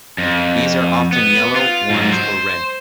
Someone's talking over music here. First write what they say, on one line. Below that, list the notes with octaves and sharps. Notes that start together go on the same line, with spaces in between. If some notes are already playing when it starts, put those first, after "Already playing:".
These are often yellow, orange or red.
F2
B3
F4
G#2 F#3
C5